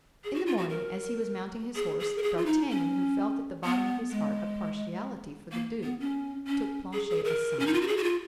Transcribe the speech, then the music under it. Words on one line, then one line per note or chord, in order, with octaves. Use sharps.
In the morning, as he was mounting his horse, d'Artagnan, who felt at the bottom of his heart a partiality for the duke, took Planchet aside.
G#4
F#4
F4
F#4
A#4
G#4
G#4
A#4
G#4
F4
D#4
C#4
B3
G#3
A#3
B3
C#4
C#4
G#4
G#4
A#4
C#4
D#4
F4
F#4
G#4
F#4
F4